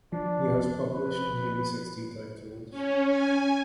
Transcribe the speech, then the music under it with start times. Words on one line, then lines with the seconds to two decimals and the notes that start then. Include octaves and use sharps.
He has published nearly sixty titles.
0.12 F3 D4
0.90 B4
2.71 C#4
3.07 G#5